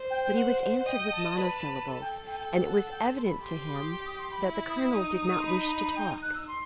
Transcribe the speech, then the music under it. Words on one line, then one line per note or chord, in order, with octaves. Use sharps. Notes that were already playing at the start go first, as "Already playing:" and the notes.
But he was answered with monosyllables, and it was evident to him that the colonel did not wish to talk.
Already playing: C5
G5
F#5
F#5
F#5
D#5 G5
A5
B4
A4 A5
G5
G5
G5
F#5
G5
A5
C6
B5
G4 C6
C6
B5
D#6
C6
C6
D#6
C6
B5
E4
D#6
D#4 D#6
D#6
C6
B5
G5
F#6
E6
C6